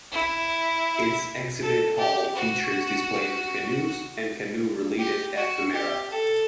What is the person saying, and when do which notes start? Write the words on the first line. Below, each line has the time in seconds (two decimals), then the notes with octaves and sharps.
Its Exhibit Hall features displays of canoes and canoe related ephemera.
0.12 E4
1.62 A4
1.98 G4
2.36 F#4
4.99 G4
5.36 F#4
5.73 G4
6.11 A4